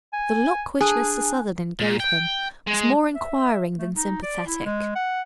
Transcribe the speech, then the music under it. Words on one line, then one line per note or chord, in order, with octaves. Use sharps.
The look which Mr. Sutherland gave him was more inquiring than sympathetic.
G#5
D4 G#4 G#5 A5 F#6
A#2
G5
G#3
E5
A3
D#4
D5
E4
G#3
F#5